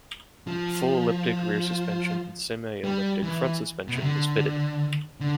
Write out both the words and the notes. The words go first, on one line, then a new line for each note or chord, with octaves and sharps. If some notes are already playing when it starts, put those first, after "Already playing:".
Full elliptic rear suspension and semi-elliptic front suspension was fitted.
F3
G3
E3
B2
C3
D3
D3